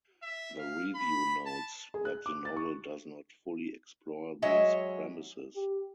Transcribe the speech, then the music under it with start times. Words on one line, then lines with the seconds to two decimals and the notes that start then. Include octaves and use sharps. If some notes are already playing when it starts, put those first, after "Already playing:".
The review notes that the novel does not fully explore these premises.
0.23 E5
0.59 F5
0.95 B5
1.46 A5
1.94 G#4
2.05 F#6
2.26 D6
2.45 A6
2.56 C#6
4.42 F#3 G#3 C#5 D#5 E5
5.56 G4